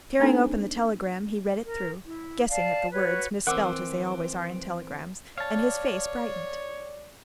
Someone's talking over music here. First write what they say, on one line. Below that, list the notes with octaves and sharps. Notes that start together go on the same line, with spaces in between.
Tearing open the telegram, he read it through, guessing at the words, misspelt as they always are in telegrams, and his face brightened.
A#3 C4 D4 D#4 A4 C5
A#4
E4
D5 F5 A5
F#4 B4 C#5
E3 C4 A#4 F#5 D6 E6
C#5 D5 F5 A5